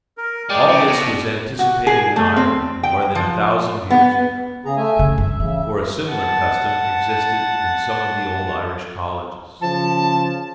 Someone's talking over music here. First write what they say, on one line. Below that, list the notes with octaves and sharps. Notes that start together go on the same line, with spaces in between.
All this was anticipated in Ireland more than a thousand years ago; for a similar custom existed in some of the old Irish colleges.
A#4
G#3 D5 G5
C#3
B2
F#4
G#4
A3
C4
G5
F3
B3
C#3 G#4 A#5
A3 E5 G#5
C#3
G2 E5
C#3 E3 E5
F#5 A5
C#3 F3 A5